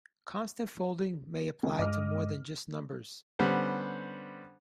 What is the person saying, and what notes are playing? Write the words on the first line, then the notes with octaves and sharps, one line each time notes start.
Constant folding may apply to more than just numbers.
C#2
G2 G#3 D#5 D6 F6
D3 G3 B3 C#4 C5